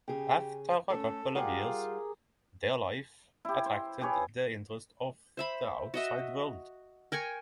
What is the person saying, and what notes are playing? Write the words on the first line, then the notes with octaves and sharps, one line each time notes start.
After a couple of years, their life attracted the interest of the outside world.
C#3 G4 G#4
A3 C#4 A4
G3 F4 G4 G#4 A#4 F5 F#5
E4 G4
C5
G4 G#4 B4 C#5
C5 E5 B5
F#4 D#5 E5
A#4 G5 G#5 C#6